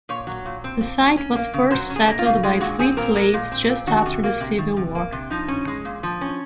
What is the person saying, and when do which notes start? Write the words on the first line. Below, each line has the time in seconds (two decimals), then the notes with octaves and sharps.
The site was first settled by freed slaves just after the Civil War.
0.09 A#2 C#5
0.27 F#3
0.45 A#2
0.64 C4
0.81 A#2
1.00 F#3
1.17 C#4
1.35 A#3
1.54 C#3
1.71 F#3 C5
1.90 C#4
1.96 G#4
2.08 A#3
2.19 F4
2.25 C#3
2.43 G#3 F4
2.61 A#2 F#4
2.79 C4 G#4
2.97 A#2 A#4
3.15 G#3
3.34 A#2
3.52 C4
3.69 A#2
3.87 D#3 F#4
4.06 C3
4.24 A#3
4.40 C3
4.58 D#3
4.77 C3
4.95 A#3
5.12 C3
5.30 F3 D#4
5.48 C#4
5.67 G#3
5.85 A#2
6.03 F3
6.21 C#4